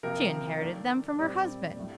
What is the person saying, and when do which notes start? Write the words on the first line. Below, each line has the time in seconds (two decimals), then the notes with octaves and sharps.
She inherited them from her husband.
0.03 C3 F3 A#3 A#4
0.61 D#3 A3 D4
1.18 A#2 G3 C4 D5
1.76 A2 A3 D4